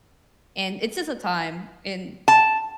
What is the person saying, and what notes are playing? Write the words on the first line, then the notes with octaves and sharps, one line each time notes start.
and it's just a time and
A5